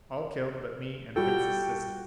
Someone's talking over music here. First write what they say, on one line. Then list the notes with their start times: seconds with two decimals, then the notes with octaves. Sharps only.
All killed but me and Prince's sister.
1.16 G3 F4 F#4 A4 G5